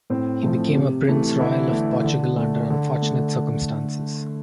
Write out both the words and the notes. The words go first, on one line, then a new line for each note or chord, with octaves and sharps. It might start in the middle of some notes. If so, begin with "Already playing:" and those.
He became Prince Royal of Portugal under unfortunate circumstances.
A2 C4
F3 A3
C3
E3 A3
D3 E3 E4
A3
D3
A3
D3
A3